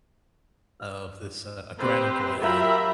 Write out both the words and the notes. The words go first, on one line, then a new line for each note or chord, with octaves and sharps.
of this, uh a granduncle I had,
C4 G4 B4 C5
F#3 F4 G4 A#4 E5 B5